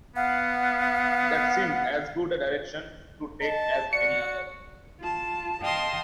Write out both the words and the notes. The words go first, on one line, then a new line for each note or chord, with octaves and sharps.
That seemed as good a direction to take as any other.
B3 F5 F#5
D#5 A5
F#4 D5 C#7
F4 A5
D#5 F5 G5 A5 C6 D#6